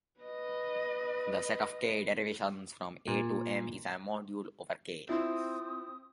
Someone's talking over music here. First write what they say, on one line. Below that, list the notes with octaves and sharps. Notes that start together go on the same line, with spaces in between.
The set of "k"-derivations from "A" to "M", is a module over "k".
B4 D#5
A#2
C4 E4 F4 D#6